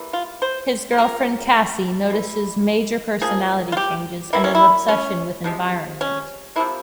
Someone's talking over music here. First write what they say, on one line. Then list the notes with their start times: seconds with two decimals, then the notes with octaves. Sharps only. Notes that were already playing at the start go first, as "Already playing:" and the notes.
His girlfriend Cassy notices major personality changes and an obsession with environment.
Already playing: E3 G3 A#3
0.13 F4
0.42 C5
0.93 C5
0.97 C#3 F3 A#3 A#4
2.10 E3 G#3
3.21 C#3 F3 A#3 G#4
3.72 F4
3.77 G4
4.33 E3 A#3 E4
4.44 C#4
4.55 E4
4.88 C#4
5.44 C3 F3 G#3
6.01 C#4
6.56 C3 F3 A#3 E4